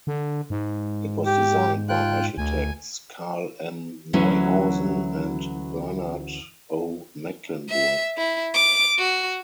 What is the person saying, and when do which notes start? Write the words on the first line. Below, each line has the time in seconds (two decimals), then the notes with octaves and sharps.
It was designed by architects Carl M. Neuhausen and Bernard O. Mecklenburg.
0.07 D3
0.50 G#2
1.26 G4
1.89 F4 G5 F#6
2.38 D2 G#5
4.13 D2 E3 F#3 C#4
7.69 E5
8.17 E4
8.54 D6
8.98 F#4